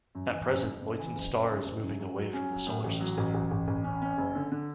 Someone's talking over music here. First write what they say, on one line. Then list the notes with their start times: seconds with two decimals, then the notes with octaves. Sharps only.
At present, Luyten's Star is moving away from the Solar System.
0.15 F#2
0.32 E3
0.49 F#2
0.66 F#1
0.82 F#1
0.99 E3
1.15 F#1
1.33 F#1
1.50 F#2
1.66 F#1
1.83 F#2
1.99 F#2
2.16 F#3
2.33 C#4
2.51 F#3
2.67 A2
2.84 A1
3.01 F#3
3.18 A1
3.34 A1
3.51 A1
3.68 A1
3.84 C#4
4.02 C#4
4.18 F#1
4.35 D3
4.52 D3